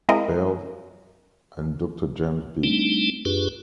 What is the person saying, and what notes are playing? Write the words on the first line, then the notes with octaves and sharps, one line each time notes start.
Bell, and Doctor JamesB.
G#3 C4 E4 A#4 D#5 F5
G3 A3 C4 D4 D#4
F#2 D4 F4 G4 G#4 B4